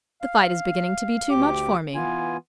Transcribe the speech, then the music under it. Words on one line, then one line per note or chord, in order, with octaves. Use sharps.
The fight is beginning to be too much for me.
F5
D2 G4 D6
E3 B3 F4 G#5